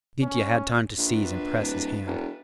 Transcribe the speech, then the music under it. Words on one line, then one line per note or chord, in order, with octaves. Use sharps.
Mitya had time to seize and press his hand.
C#4
A#1 D4 B4
D1
E1